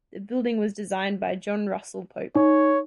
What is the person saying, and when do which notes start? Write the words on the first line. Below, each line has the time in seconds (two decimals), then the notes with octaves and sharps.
The building was designed by John Russell Pope.
2.35 D#4 C#5